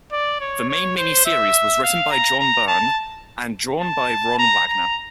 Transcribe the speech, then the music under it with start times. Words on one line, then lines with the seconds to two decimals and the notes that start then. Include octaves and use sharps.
The main mini-series was written by John Byrne and drawn by Ron Wagner.
0.13 D5
0.41 C#5
0.70 C#5
0.97 C5
1.26 E5
1.83 F5
2.11 A#5
2.40 A#5
2.68 A5
3.81 A5
4.39 A#5
4.68 A#5